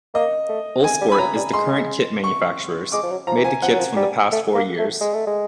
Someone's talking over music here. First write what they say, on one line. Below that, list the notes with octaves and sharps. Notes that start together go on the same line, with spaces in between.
Uhlsport is the current kit manufacturers, made the kits from past four years.
A#3 D#5
A3
G#3 G#5
G3
B5
F#3 A#5
G3
G#3 C6
C#6
G#3 D6
F3
F#3
F3 A#5
E3
F3 G#5
F3 F#5
F#3
F3
G3
A3
A#3
A3
G#3
A3
G#3